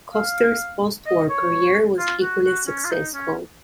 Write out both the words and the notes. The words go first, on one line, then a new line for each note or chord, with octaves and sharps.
Koster's postwar career was equally successful.
F5
D#5
C#5
F4
F#4
F#4
C#4
F4
D#4
C#4